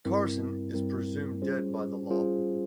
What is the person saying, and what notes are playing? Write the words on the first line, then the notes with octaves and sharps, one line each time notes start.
Carson is presumed dead by the law.
G2 G3 C4 E4 A#4
G2 G3 C4 E4 A#4
G3 C#4 F4 G#4 C5
G3 C#4 F4 G#4 C5